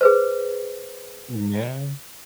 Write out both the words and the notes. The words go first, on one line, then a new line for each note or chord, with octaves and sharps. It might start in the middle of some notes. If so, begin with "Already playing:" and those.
Mm, yeah.
G#4 B4 C5